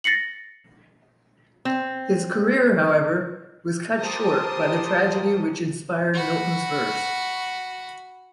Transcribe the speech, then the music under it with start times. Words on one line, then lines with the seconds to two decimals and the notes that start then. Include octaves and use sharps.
His career, however, was cut short by the tragedy which inspired Milton's verse.
0.04 A6 A#6 C7 C#7 F#7
1.65 C4
4.00 G4 A#4 C5 A5 C6 D#6
6.14 F#4 B5